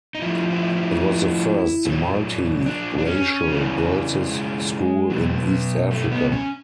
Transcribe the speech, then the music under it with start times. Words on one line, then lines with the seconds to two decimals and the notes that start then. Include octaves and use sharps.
It was the first multi-racial girls' school in East Africa.
0.15 D#4
0.22 A2 F3 E4
0.50 E4
0.76 E4
1.85 A#2 F#3
2.66 D4
2.98 D4
3.06 C#4
3.48 C#3 E3
4.29 G#3
5.10 B2 F#3
5.91 A3
6.12 B3
6.32 C#4